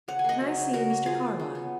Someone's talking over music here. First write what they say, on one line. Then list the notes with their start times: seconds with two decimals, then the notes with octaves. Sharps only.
"Can I see Mr. Carlyle?"
0.08 C#3 F#5
0.19 G#5
0.24 A#3 D#5 F#5
0.41 F#3
0.58 C#3
0.73 C#3 F#4 A#4
0.90 A#3
1.06 F#3 F4 G#4
1.22 C#3
1.40 C#3
1.55 B3